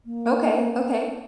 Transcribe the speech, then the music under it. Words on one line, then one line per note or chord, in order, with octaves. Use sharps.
Okay, okay.
A#3